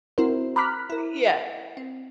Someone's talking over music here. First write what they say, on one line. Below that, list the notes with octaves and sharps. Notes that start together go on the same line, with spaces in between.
Y yeah.
C4 E4 F#4 A#4 C5
A#5 B5 D6 F6 F#6 B6
E4 A#4
C4